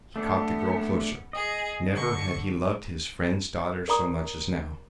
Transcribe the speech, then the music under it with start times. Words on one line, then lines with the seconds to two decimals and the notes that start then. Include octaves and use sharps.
He caught the girl closer. Never had he loved his friend's daughter so much as now.
0.16 A3 B3 D4
1.33 G#4 D#5
1.91 D3 C#6
3.88 A#4 D5 A#5 D#6